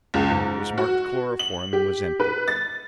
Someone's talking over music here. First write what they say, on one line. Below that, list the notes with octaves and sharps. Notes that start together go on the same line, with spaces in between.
It was marked chloroform and was empty.
C#2
G#2
F#4
F#7
G4
B4
A6